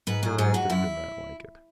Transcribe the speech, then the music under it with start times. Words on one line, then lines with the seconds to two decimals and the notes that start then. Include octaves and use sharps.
Sir Arthur did not like it.
0.07 G#2 B4
0.23 F#3 G#4
0.38 G#2 G#4
0.54 G#2 F#4
0.70 F#2 E4